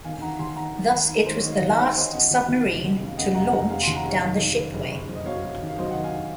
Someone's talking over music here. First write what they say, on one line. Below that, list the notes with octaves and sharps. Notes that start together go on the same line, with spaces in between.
Thus, it was the last submarine to "launch" down the shipway.
D#3 F5 G#5
D#3 F#5 A#5
D#2 G#5 C6
D#3 F#5 A#5
D#3
D#3
D#3
D#3 C5
C#5
D#3 D#5
F5
D#2 D#5 F#5
D#3 C#5 F5
D#3 C5 D#5
G#5
C#3 D#5 F#5
D#2
D#2
F1
D#2
C#3
F5
C#3 D#5 F#5
F1 F#5 A#5
F1 F#5 A#5
F1 F5 G#5
G#5 C6
D#2
F#5 A#5
F1 C#5 F5
D#3
D#3
F#1
F#1
F#1
F#1
D#5
F#2 C#5 F5
F#2
D#3
F5
F#2 C5 D#5
D#5 F#5
D#3
F5 G#5